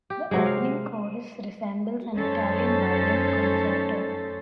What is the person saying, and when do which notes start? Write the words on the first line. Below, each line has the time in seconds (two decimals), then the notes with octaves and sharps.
The opening chorus resembles an Italian violin concerto.
0.10 G4
0.31 C3 F#3 G#3
0.46 F5
2.17 F#2 A3 C#4 D#4 A4 C5